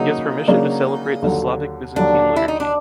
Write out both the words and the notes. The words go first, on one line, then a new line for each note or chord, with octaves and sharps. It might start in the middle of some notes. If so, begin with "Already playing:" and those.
He has permission to celebrate the Slavic-Byzantine liturgy.
Already playing: C#3 F#3 A#3 D#4
C#3 F#3 A#3 D4 F#4
D#2 D3 F#3
D#2 D3 F#3 D4
E4
D#4
D4